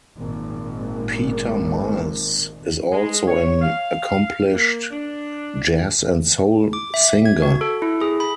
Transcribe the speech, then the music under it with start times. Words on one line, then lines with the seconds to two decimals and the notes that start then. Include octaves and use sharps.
Peter Miles is also an accomplished jazz and soul singer.
0.18 G#1 A#2
2.92 G#3
3.28 C#5
3.62 F5
4.55 A#3
4.91 D4
6.73 D6
6.94 E5
7.26 G#6
7.42 F#4
7.61 A4
7.82 E4
8.01 G#4
8.20 B5